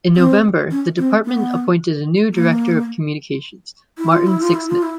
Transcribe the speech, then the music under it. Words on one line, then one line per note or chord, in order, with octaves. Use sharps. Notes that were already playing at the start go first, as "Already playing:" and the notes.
In November the department appointed a new Director of Communications, Martin Sixsmith.
C4
C#4
C4
B3
A#3
E4
F4
E4
F4
E4
F4
E4